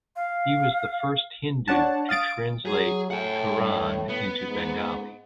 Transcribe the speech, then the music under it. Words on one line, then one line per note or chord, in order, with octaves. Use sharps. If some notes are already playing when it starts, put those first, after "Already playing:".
He was first Hindu to translate Quran into Bengali.
F5
D4 C#5 F#5 A5
F5 D#6 A6 D7
F#3 G#4
A2 F#5 G#5
G2
B3
G#2